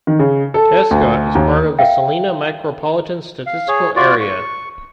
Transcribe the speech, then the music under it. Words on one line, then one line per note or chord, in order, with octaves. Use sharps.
Tescott is part of the Salina Micropolitan Statistical Area.
D#3
C#3
A4
D2
D#2
E5 F5 G5
F5
G#4 C#5
F4 F#4 D5
C#6